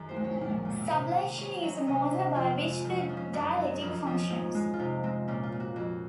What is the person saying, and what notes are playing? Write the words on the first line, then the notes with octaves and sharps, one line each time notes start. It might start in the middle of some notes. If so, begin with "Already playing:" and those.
Sublation is the motor by which the dialectic functions.
Already playing: F#2 D#3 G#4
C5
G#3
C#5
A#2
A#2
C3
C3
G#2 C#5
F#3 C#5
C3 D#5
C3
F2 F4
G#3
F2 D#4
C#4
F3
C#4
F#2 D#4
F#3
F2 D#4
F3 C#4
G#2 D#4
G#3
F4
C3 D#4
G#3 C4
A#2 C#4
F4
A#2
F#4
F2 F#4